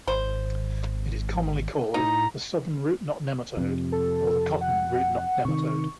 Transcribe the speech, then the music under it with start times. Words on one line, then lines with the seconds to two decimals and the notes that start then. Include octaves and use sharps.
It is commonly called the "southern root-knot nematode'" or the "cotton root-knot nematode".
0.07 G#1 C5
1.94 A2 D#4 A#5
3.57 F2 C3
3.92 A4
4.61 F#5
5.45 C3 D#3 C#6